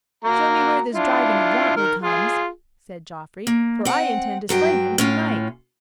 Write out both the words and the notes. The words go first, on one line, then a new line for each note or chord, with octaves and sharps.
"Show me where this Dragon of Wantley comes," said Geoffrey, "for I intend to slay him to-night."
A#3 F#4 A#5
D4 E4 F4
D#3 A#4 F6
F4 G#4
A#3
C4 F#5
G2 F#3 G#4 G5
A2 C#4 F4